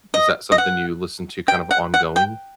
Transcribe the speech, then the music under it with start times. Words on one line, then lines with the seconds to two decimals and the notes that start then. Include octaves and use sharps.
is that something you listen to kind of ongoing?
0.14 D#5
0.52 D#5
0.58 F#5
1.48 G5
1.71 F#5
1.94 F#5
2.16 G5